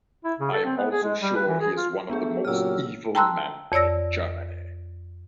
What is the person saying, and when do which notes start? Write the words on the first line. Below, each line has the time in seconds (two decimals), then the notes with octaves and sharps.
I am also sure he is one of the most evil men in Germany.
0.24 E4
0.39 C#3
0.52 A4
0.65 C4
0.77 B3
0.91 G#4
1.03 G#3
1.21 G3
1.35 B4
1.47 E3
1.60 G#4
1.77 F4
2.10 A3 B3 D4 G#4
2.45 A#2 C#3 F#3 G4 E6 F6
3.15 G5 A5 A#5 C6 E6 F#6
3.72 F2 C#5 D5 E6 A#6